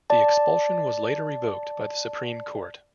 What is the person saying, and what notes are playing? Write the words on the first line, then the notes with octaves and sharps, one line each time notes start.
The expulsion was later revoked by the Supreme Court.
D5 A5